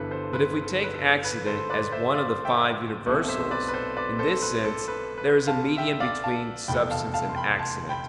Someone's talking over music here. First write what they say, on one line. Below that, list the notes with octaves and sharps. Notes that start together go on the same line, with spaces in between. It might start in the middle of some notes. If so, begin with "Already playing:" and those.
But if we take accident as one of the five universals, in this sense there is a medium between substance and accident.
Already playing: G1 G2 E3 B3 A4 B4
A4 C5
B4
A4
B4
A4
B4
A4 C5
B4 D5
C5 E5
D5 F5
E5 G5
B1 B2 A3 C4
C5 E5
B4 D5
B4
A4 C5
B4 D5
A4 C5
B4
A4
B4
B4
F5 A5
E5 G5
D5 F5
F5 A5
F1 E2 B2 A3 G5 B5
F5 A5
F5 A5
C6
G5 B5
A5 C6
G5 B5